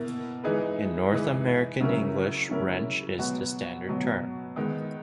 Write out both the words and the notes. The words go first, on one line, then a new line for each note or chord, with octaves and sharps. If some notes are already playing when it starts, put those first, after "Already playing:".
In North American English, "wrench" is the standard term.
Already playing: B2 A#3 E4 A#4
E3 G#3 D#4 G#4 B4
E3 G#3 D#4 G#4 B4
C#3 F#3 C#4 E4 A#4
C#3 F#3 C#4 E4 A#4
B2 F#3 B3 F#4
B2 F#3 B3 F#4
D#3 G#3 B3 D#4